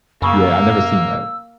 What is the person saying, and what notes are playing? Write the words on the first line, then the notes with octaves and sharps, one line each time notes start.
yeah, I've never seen that.
F#2 C#3 A#3 E6